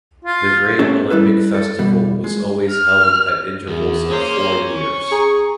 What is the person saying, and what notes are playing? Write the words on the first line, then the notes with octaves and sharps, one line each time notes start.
The great Olympic festival was always held at intervals of four years.
F4
A3 B3 C#4 G4 A4
G3 E4 A4 B4
A4
B2 G3
G#3
F6
E2 G#4
A#3 C#4 C5
C#6
G#4 A#5